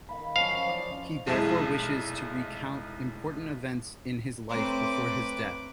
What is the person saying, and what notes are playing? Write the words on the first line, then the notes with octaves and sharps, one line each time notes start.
He therefore wishes to recount important events in his life before his death.
D#3 F5 B5
F3 F#3 C#4 F5
F3 D5 D#5
F1 B1 G#3 E4 G#4 E7
A3 C4 B4 C#5 A#5 C6 D6